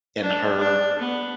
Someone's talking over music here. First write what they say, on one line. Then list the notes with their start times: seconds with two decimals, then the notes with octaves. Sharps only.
and her
0.21 D4
0.59 D4
0.99 B3